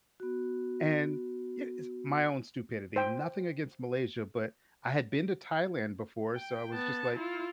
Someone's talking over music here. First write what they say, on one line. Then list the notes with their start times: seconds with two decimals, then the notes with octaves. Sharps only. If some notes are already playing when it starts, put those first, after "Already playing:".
And, yeah it's my own stupidity, nothing against Malaysia, but I had been to Thailand before, so I was just like,
0.20 B3 F#4
2.96 C5 G5
6.35 G5
6.73 B3 A5
7.16 E4 F4